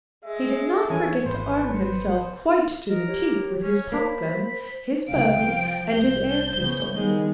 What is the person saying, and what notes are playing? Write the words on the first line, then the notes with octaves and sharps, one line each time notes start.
He did not forget to arm himself quite to the teeth with his pop-gun, his bow, and his air-pistol.
G#3 E5
E3 C#4 G#4 A4 G#5
G#1 B3 C5
C5
A#4 D#5
G4 C#5
C#4
A#3 C5 B5
C2 C#3 F5 G5 D7
F3
C2 G6
C5
C#3 B3 C#4
D#3 G3 G#3 B3